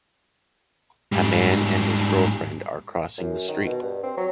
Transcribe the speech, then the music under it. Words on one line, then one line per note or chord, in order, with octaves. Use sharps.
A man and his girlfriend are crossing the street.
G#2 G3
F#2
D#3
B2
G2
C4
F#3